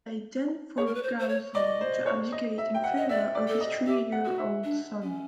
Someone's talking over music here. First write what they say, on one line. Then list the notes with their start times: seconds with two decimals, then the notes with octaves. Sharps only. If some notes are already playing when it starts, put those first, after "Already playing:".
They then forced Gaozong to abdicate in favor of his three year old son.
0.78 G#4 C#5
0.86 A#4
0.95 B4
1.03 C5
1.19 C5
1.29 C#5
1.55 D5 D#5
1.81 C5
2.06 C#5
2.32 D#5
2.58 E5
2.74 G5
2.84 F#5
2.97 D#5
3.09 D5 E5
3.35 D5
3.48 A4
3.61 D#5
3.87 G4 E5
4.12 F#5
4.25 F#4
4.38 E5
4.64 D4
5.02 C#4